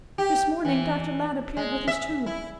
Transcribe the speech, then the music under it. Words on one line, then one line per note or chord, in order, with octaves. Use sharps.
This morning Dr. Ladd appeared with his tube.
G4
E3
G#3
E5
E4